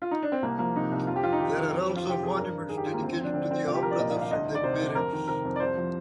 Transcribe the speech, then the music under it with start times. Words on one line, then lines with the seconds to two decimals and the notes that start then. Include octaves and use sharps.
There are also monuments dedicated to the Aw brothers and their parents.
0.02 F4
0.11 D#4
0.22 D4
0.32 C4
0.42 C2 A#3
0.59 F3 A#3
0.76 C3 D#4
0.92 C2
1.07 F2 F4
1.16 G4
1.23 F2 F4
1.33 D#4
1.39 D#3 G4
1.56 D#3
1.72 F2
1.89 F3
1.96 F4
2.05 C3 G4
2.21 F2 G#4
2.37 G2 A#4
2.54 G2
2.69 D#3 G#4
2.77 G4
2.86 D#3 F4
2.94 A#3
3.02 D2 C4
3.13 C4
3.18 F3
3.23 D4
3.34 D3 C4
3.42 D4
3.51 D2 C4
3.66 C2 F4
3.74 G4
3.82 F3 A#4
3.91 D5
3.99 A#2 D#5
4.10 F5
4.16 C2
4.21 F5
4.31 D2 D#5
4.48 D#3
4.55 D5
4.63 C3 C5
4.80 D2
4.95 F2 A#4
5.12 D#3
5.28 C3 A#4
5.45 F2
5.56 D5
5.60 C2 C5
5.77 F3